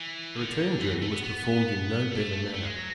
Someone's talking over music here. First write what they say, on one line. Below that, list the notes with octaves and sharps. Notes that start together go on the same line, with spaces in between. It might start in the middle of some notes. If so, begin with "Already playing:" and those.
The return journey was performed in no better manner.
Already playing: E3
D3
E3
A3
B3
B3
A3
A3
G#3
F#3